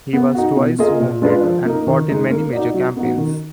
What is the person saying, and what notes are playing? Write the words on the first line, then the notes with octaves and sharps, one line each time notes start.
He was twice wounded and fought in many major campaigns.
B3
D#4 F#4
B2
A#3 F4 G#4 D#5
A#2
G#3 D4 F4 B4
F3
A#3 D#4
D#3
G#3 D#4
A#3
D#4 F#4 D5
F#3
B3 D#4 F#4
D#3